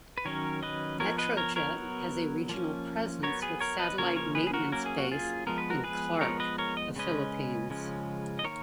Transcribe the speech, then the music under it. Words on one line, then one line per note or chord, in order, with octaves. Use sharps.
Metrojet has a regional presence with satellite maintenance base in Clark, The Philippines.
B4
D#3 F#3 C#4 A#4 C#5
B4 D#5
F3 B3 A#4 C#5
B4 D#5
A#4 C#5
A#4 C#5
F#3 B3
F3 A#3 C#4
F#3 B3 A#4 C#5
G#4 B4
A#4 C#5
B4 D#5
C#3 F3 A#3 C#4 A#4 C#5
A#4 C#5
G#4 B4
G#4
F#4 A#4
F#3 A#3 C#4 A#4
G#4
F#4
F4 G#4
F3 G#3 B3 A#4
B4
F#4 A#4
G#4 B4
F3 G#3 B3 A#4 C#5
B4 D#5
A#4 C#5
D#5
C#3 G#3 C#4 B4 D#5
C#3 F3 G#3 C#4
D#5
D#3 A#3 A#4 C#5